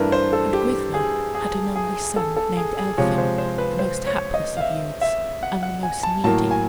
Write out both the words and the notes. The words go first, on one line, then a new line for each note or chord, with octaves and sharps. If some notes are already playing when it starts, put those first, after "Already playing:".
And Gwyddno had an only son named Elphin, the most hapless of youths, and the most needy.
Already playing: G2 E3 A3 D4 A#4 B4
C5
A4
G4
G#4
G#4
G#4
A4
A4
G#4
G#4
C3 F3 G#3 C#5
C5
C5
B4
C5
C#5
D#5
F5
E5
E5
F#5
F#5
G#5
A5
A2 F#3 A#3 A5
G#5